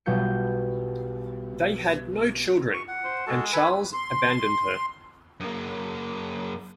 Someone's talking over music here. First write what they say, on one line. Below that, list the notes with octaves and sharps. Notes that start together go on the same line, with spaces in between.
They had no children and Charles abandoned her.
B1 B2 G3 F4 G6 C#7
C#6
F#5
C5
G#3 F#4 A4 A5
A4 B4 G#5 B5
C6
F#2 A#3